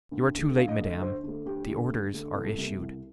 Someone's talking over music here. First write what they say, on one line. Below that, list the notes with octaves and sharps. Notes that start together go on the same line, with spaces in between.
"You are too late, madame; the orders are issued."
D2
D3 A3
D2 F5
D#5
D3 A3 D#5
D2 C5
D3 A3
D2 G4
D3 A3
D2
D3 A3
C2 A4
C3 G3 A#3
C2